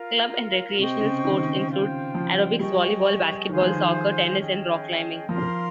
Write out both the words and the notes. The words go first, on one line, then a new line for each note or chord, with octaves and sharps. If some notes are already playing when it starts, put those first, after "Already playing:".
Club and recreational sports include aerobics, volleyball, basketball, soccer, tennis and rock climbing.
Already playing: F4 A#4 F5
C3 C5 D#5 G5 C#6
C#3
D#3
C#3
F4 C5 G5
F3
G3 G#4 D#5 G5 C#6
D#3 G#4 C5 F5
F3
D#3
C#4 G#4 D#5 G5
F3 A#4 F5 C6